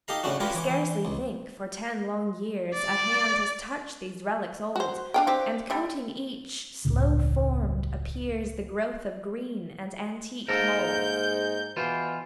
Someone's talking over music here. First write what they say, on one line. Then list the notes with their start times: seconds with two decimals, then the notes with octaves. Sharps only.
I scarcely think, for ten long years, A hand has touched these relics old; And, coating each, slow-formed, appears The growth of green and antique mould.
0.08 D#4 G4 A4 F5 A#5
0.23 A2 C#3 A3 C#4 D4 F#4
0.40 F4 G4 A#4 B4 C#5
0.54 E3 C#5 D6
0.69 E3
1.05 C#2
2.74 D5
4.76 F#4 C5
5.14 D4 F5 G5
5.27 C4 G4
5.70 D3 G3
6.85 E1 C#2 A2 C#3
10.49 G#2 A#3 A4 A#4 G6
11.77 B2 E3 F4 C5